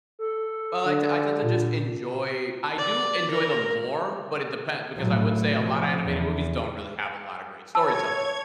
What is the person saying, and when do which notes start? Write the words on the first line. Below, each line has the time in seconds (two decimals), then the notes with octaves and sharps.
Well, I te I tend to just enjoy I do enjoy them more, but it depends, because I would say a lotta animated movies don't really have a lotta great storytelling;
0.19 A4
0.86 D3
1.42 A#2
2.78 D5
3.31 A#4
4.96 A2 F#3
5.57 C3 F3
6.03 E2
7.75 C#5 A5 E6 G#6